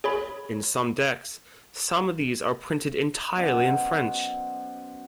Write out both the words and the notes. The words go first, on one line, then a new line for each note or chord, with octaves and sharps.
In some decks, some of these are printed entirely in French.
G#4 C#5 B5
F#2 B2 C5